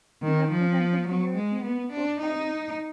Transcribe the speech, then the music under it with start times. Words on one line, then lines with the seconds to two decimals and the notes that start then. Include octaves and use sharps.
He represented the European People's Party.
0.22 D#3
0.51 F3
1.07 F#3
1.35 G#3
1.63 B3
1.92 D4
2.20 D#4